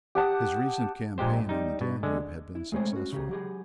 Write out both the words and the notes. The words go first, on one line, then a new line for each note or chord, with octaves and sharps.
His recent campaign on the Danube had been successful.
G4 F#5 A5 D#6
A#1 A#2 G#3 G4 C5
G3 D#4
B2
D3 G#3
E4
G#3 A3 C4 C#5 G#5
C#4 F#4
C#3 G4 G#4
F#3 G4 G#4